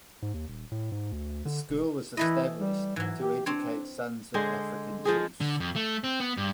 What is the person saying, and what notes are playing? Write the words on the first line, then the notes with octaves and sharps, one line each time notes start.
The school was established to educate sons of African Chiefs.
G#2
D#2
D#1
A2
G#2
D2
D3
E1
E3 A3 E4 D#5
G3
G#2 E3 F#3
G4
C4 D4 C#5
D3 G#3 G#4 C5
F3 G#3 G#4
D3
F2
A3
C4
B3
G2